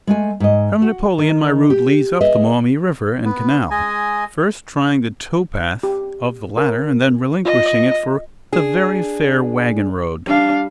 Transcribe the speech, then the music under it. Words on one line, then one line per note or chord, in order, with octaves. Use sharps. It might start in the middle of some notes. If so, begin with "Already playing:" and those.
From Napoleon my route leads up the Maumee River and canal, first trying the tow-path of the latter, and then relinquishing it for the very fair wagon-road.
G#3 A3 G#5
G#2 D#5
F#4
D#3
G4
G#4 B4 D#5 E5
B3
G#3 D#5 G#5
G4
A#4
F4 D#5
D4 G#4
G3 D4 F5